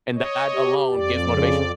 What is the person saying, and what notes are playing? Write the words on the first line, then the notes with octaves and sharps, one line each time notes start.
And that alone gives motivation.
C#5 D#5
G4
F2 D5
C#3